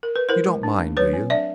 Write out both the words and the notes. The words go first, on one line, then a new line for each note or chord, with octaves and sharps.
You don't mind, do you?
A#4
B4
E4 A#4 C5
G#3
D4
A3
F#3 B4 C#5
C4
D4 D5 E5